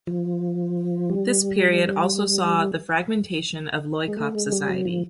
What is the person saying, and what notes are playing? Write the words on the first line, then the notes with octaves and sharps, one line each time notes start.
This period also saw the fragmentation of Loikop society.
F3
G3
G#3
A3
G#3
G3
F#3
F3